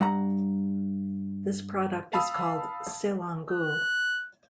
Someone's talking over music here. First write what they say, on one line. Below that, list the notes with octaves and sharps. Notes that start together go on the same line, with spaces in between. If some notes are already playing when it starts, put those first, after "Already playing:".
This product is called "sailonggu".
G2 F#5 A#5
F5 A5 B5 D#6 E6
F#6